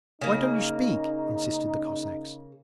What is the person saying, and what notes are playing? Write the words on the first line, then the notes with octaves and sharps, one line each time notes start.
Why don't you speak?' insisted the Cossacks.
C#3 A#3 D#4